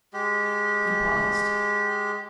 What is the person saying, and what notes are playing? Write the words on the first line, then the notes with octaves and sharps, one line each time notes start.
He paused.
G#3 G4